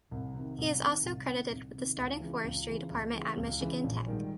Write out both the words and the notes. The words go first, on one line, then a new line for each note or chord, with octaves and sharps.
He is also credited with starting the forestry department at Michigan Tech.
C2
C3 D#3
C2
C3 D#3
C2
C3 D#3
C2
C3 D#3
C#2
C#3 E3
C#2
C#3 E3
C#2
C#3 E3
C#2
C#3 E3
A#1
G#2 D#3 G3